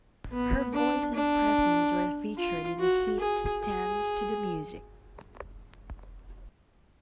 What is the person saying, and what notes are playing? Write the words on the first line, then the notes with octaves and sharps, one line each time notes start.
Her voice and presence were featured in the hit "Dance To The Music".
B3
D4
D4
F4
F#4
G#4
G#4